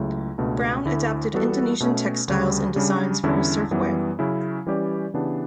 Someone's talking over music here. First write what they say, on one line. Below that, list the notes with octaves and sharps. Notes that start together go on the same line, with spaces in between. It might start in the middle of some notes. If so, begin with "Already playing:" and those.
Brown adapted Indonesian textiles and designs for his surfwear.
Already playing: C#2 C#3 F#3 A3 E4
C#2 B2 A3 D4 A4
D2 D3 A3 E4
E3 G3 B3 F#4 A4
B2 A3 C#4
D2 C#3 G3
C#3 G3 D4
E2 D3 G3 C#4 E4
F#2 E3 G3 B3
C#3 F#3 C#4 E4
E3 G3 C#4 G4 D5
C#3 E3 B3 D4 G4